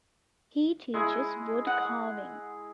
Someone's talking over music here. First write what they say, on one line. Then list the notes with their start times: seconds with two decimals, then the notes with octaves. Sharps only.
He teaches woodcarving.
0.94 G#3 E4 G#4
1.67 F#5